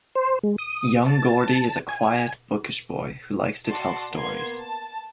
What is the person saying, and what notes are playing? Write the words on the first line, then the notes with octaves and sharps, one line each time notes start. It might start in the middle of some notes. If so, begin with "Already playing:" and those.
Young Gordie is a quiet, bookish boy who likes to tell stories.
C5
G#3
D#6
A5
G#5
F#4 D5 A5 C6
A#3 B3 C6 G#6
A5